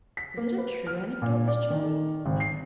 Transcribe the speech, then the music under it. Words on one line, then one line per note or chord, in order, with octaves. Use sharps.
"Is it a true anecdote, Miss Channing?"
B6
A#3
B4
F6
A#2
D5
D#3
G#1
C7